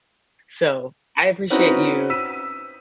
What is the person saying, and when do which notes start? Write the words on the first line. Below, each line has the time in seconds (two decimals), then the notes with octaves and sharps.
So, I appreciate you.
1.50 C4 C#4 D#4 E4 F#4 B4
2.10 E6 B6 D#7